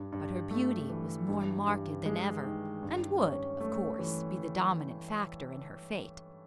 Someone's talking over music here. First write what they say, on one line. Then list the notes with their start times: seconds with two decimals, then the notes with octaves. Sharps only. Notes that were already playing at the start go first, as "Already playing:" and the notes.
But her beauty was more marked than ever, and would, of course, be the dominant factor in her fate.
Already playing: G2
0.12 G2
0.51 A3
0.90 E3
1.29 G2
1.67 G2
2.06 G#3
2.44 D#3
2.83 G2
3.22 C#4
3.61 A3
3.99 E3